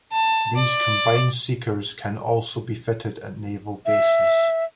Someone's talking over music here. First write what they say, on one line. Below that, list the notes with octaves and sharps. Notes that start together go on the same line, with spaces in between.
These combined seekers can also be fitted at naval bases.
A5
D5
E5